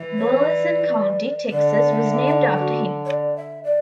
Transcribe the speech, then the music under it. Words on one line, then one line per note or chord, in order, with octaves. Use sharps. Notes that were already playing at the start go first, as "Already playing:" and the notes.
Burleson County, Texas, was named after him.
Already playing: E3
C#5
D5
D3 D5
E5
E5
D5
F#4
C#5
D5
E5
D5